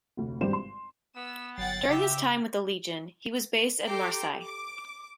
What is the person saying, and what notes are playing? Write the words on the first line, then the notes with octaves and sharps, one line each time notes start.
During his time with the Legion, he was based at Marseille.
F1 D2
G#1 G2 G3 G4 C5 E7
C6
B3 E6
G1 F#3 F#5 G5 A6 C7
C#3 G4 E5 G5
G4 A4 G5 A#5 C6 D6
D6